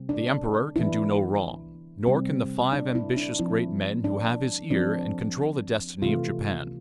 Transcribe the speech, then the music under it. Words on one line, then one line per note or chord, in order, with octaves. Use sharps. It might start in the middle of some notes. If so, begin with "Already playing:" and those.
The Emperor can do no wrong, nor can the five ambitious great men who have his ear and control the destiny of Japan.
Already playing: C3 G3 C4
D4
E3 B3 D4 E4
C3 G3 C4
D4
E4
D4
F3 C4 E4
D4
F3 C4 D4
C3 E3 A3 F4